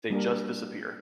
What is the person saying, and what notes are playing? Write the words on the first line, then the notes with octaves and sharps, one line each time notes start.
They just disappear.
G3 A#3 D4 G4 A#4